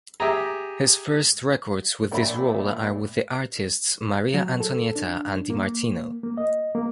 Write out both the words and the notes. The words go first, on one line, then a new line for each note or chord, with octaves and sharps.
His first records with this role are with the artists Maria Antonietta and Dimartino.
G4 G#4 E5 A#5
A#1 A#2 C#5 D5 E5 B5
F#3
A4
D4
A#3
A#3
D#5
A#3